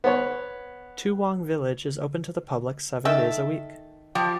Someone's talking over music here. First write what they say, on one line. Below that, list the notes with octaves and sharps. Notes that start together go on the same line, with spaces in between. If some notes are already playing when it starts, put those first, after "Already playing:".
Toowong Village is open to the public seven days a week.
B3 C#5
D#3 A4 E5
F3 G4